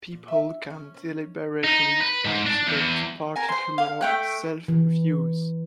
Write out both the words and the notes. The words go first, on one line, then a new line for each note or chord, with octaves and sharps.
People can deliberately activate particular self-views.
A#2
E5
C#4
C#4
D#4
B4
G#2
D4
E2
A#4 G#5
C5 C6
F5
A3 G5 F#6
E3